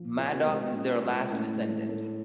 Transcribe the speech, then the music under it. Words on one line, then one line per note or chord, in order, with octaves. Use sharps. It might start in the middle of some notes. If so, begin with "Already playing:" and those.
Madoc is their last descendant.
Already playing: F3
A#2 F4
C3
B2
C3 G#3
B2
A#2 C#4
G#3
A2 C#4
G#3
A3